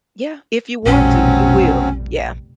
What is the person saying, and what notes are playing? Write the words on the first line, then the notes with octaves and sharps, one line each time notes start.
Yeah, if you want to, you will. Yeah.
F1 A#1 B2 F#3 G3 C4 C#4